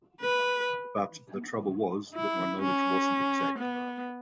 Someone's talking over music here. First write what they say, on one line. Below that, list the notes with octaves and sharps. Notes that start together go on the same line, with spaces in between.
But the trouble was that my knowledge wasn’t exact.
B4
E4
C#4
B3